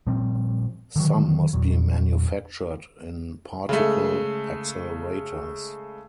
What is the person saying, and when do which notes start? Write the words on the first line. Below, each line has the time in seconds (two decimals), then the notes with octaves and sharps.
Some must be manufactured in particle accelerators.
0.07 A#2 F3 G3 C4
0.96 D3 D#3 F#3
1.53 E2 A#2 F#3
3.69 C#3 G#3 A3